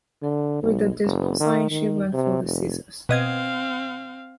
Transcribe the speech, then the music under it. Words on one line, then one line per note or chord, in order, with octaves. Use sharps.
With a dismal sigh she went for the scissors.
D3
B1
F#1
D#3
D#3
C3
F1
B2 C4 D#5 F5 G#6